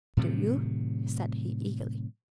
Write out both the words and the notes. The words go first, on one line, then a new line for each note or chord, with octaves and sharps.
"Do you?" said he eagerly.
A2 C3 D#3 F#3